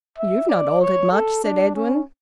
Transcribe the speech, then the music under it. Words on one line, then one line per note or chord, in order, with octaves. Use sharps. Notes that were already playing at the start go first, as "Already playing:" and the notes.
"You've not altered much," said Edwin.
E5
D5
C#5
A4
D4
C#4